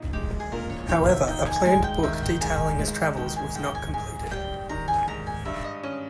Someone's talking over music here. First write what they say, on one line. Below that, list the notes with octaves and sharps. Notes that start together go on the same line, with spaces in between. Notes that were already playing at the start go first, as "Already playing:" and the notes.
However, a planned book detailing his travels was not completed.
Already playing: A#2 D#4
G#3 G4
G#4
A#2 A#4
C#5
D#3 G4
E5
D#4 G5
G#5
G#3 G#5
G5
D#3 E5
G5
G#2 G#5
G#3
D#3 G5
G#5
G#2 G5
G#5
G#2 G#5
G3 G5
D#3 A#5
G#5
G#2 A#5
G#5
G2 E5
D#5
C#4 D#5